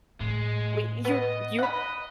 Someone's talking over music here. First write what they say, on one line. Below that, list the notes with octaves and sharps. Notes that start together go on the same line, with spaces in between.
wait, "You're you're
A2 G#3 A3
B3 D#5
F#5 B5